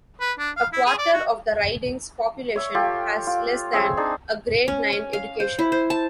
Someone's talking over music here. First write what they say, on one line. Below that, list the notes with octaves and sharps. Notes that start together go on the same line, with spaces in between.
A quarter of the riding's population has less than a Grade Nine education.
B4
D4
F5
E4
G#4
D5
F#4
C#5 E5 C#6
F4 G4 A4
F4
C4 G#4 C#5 E5
D4 D#4 G#4
C#4
C#4
F5
C5
E4
C5
A5